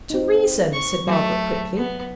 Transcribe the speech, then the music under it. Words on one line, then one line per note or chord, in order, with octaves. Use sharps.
'To reason!' said Margaret, quickly.
C4 D#4
C#6
F#3 A3
B3